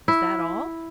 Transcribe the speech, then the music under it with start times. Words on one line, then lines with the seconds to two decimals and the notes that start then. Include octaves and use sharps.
"Is that all?"
0.08 E4